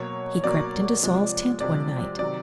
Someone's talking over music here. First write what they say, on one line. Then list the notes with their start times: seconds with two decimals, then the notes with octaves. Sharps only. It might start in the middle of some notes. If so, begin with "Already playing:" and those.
He crept into Saul's tent one night.
Already playing: B2 F#3 A#3 C#5
0.44 B2 F#3 A#3 D5
1.03 C3 F3 G#3
1.60 C3 F3 G#3 D5
2.19 C3 D#3 F#3 D5